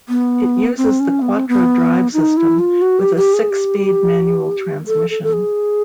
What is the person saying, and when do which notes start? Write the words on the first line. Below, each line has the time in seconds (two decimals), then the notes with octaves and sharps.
It uses the quattro drive system with a six-speed manual transmission.
0.09 B3
0.77 C4
1.00 C#4
1.22 B3
1.35 C4
1.48 B3
2.14 D#4
2.37 E4
2.59 F4
2.82 F#4
2.99 G4
3.16 G4
3.34 G#4
3.50 G4
4.87 A4
5.10 A4
5.23 A4
5.33 G#4